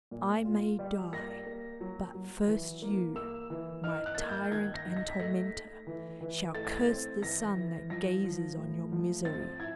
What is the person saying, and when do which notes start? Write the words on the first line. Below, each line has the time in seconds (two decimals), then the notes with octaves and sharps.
I may die, but first you, my tyrant and tormentor, shall curse the sun that gazes on your misery.
0.11 A#2
0.45 F4
0.79 G3
1.13 A#3 A#6
1.46 A#3
1.81 F#3
2.14 F#3
2.48 E3
2.82 A#3
3.16 A#3 E6
3.50 E3
3.84 D#4 F6
4.06 F#6
4.15 A6
4.18 A#3 G#6
4.29 G6
4.51 D#3 G#6
4.74 A#6
4.85 D#4
4.96 A#6
5.08 B6
5.20 A3 A#6
5.52 A3
5.87 E3
6.21 E3
6.55 A3 A6
6.65 G#6
6.75 A6
6.89 C4
7.22 E3 A#6
7.56 E3
7.90 F3 A#6
8.24 F3
8.58 A2
8.92 F3
9.25 C4 A6
9.60 E4 G#6